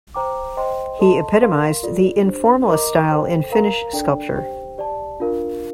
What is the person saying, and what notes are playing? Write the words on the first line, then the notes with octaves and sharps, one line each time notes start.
He epitomised the Informalist style in Finnish sculpture.
C5 G5 A#5 D6
C5 D#5 G5 C6
A4 D#5 A5 C6
A#4 F5 C6
F4 A4 D5
D4 G4 C5
A#4 D#5 A#5 D6
A4 C5 G5
A#4 F5 A#5
D4 A4 D5 G5
G4 C5 G5
G4 D5 A5
D4 F4 A#4 F5